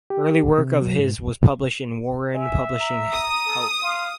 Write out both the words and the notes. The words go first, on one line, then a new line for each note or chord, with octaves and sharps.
Early work of his was published in Warren Publishing's Help!
G4
C3
F#3
G#2
E5 G#5
A#5
D#6
A4
F5 C6